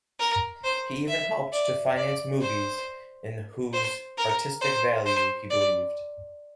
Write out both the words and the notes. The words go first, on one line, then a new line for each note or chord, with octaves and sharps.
He even helped to finance movies in whose artistic value he believed.
A#4
C5
E5
D5
D5
C5
C5
A#4
C5
C5
D5